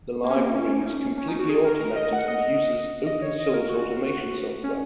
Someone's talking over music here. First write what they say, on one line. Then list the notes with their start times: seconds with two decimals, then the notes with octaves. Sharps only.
The library is completely automated and uses open source automation software.
0.24 A#3
0.30 C#4
0.37 A#3
0.55 C#4
0.79 D#4
0.86 C#4
1.18 C#4
1.28 D#4
1.39 F#4
1.49 G#4
1.65 A#4
1.80 A#4
1.96 D#5
2.13 F#5
2.28 D#5
3.07 D#5
3.22 C#5
3.38 D#5
3.54 A#4
3.69 F#4
4.64 C#4